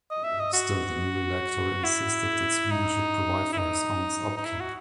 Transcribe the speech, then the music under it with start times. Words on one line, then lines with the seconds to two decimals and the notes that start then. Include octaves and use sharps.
Still, the new Elector insisted that Sweden should provide for his aunt's upkeep.
0.10 D#5
0.24 E5
0.40 D#5
0.53 F#4
1.84 E4
2.71 D#4
3.52 E4
3.58 D#4
4.36 D#4
4.45 E4
4.60 F#4